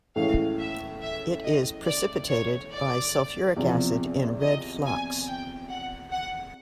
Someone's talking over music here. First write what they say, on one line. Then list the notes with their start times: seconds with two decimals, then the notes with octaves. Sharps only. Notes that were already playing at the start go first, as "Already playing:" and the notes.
It is precipitated by sulfuric acid in red flocks.
0.16 A2 E3 G#3 C#4 F5
0.59 E5
1.01 E5
1.44 D#5
1.86 D5
2.28 C#5
2.71 D5
3.57 E2 C3 F3
4.41 D#5
4.84 G#5
5.26 G5
5.69 F#5
6.11 F#5